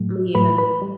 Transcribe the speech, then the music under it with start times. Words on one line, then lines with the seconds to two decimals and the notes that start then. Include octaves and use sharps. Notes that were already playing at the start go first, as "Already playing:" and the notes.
Me either.
Already playing: A2 F#3 A3
0.35 A2 F#3 A3 B4 B5
0.58 B4 B5
0.82 G3